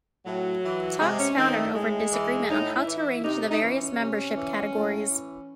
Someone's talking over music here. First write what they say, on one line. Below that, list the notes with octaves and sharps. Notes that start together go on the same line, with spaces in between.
Talks foundered over disagreement on how to arrange the various membership categories.
A2 F#3
E3
C3 G#3
C#4
D#3 C4
A3
A2 G#3
E3
A2 D#4
E4
E3
E4
C3 D#4
D#4
E3 C#4
C3
E3
A2
E3